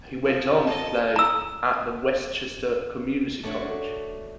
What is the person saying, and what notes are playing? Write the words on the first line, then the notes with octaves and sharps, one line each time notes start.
He went on to play at the Westchester Community College.
F3
A4 D#5 A5
A#5 E6
A3 D4 F#4 C#5